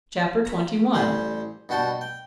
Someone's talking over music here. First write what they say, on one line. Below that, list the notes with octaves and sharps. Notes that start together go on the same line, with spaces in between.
Chap. XXI.
A#5 B5
A1 G3 G4 C5 G#5
G2 B2 F#4 G5 A5
G5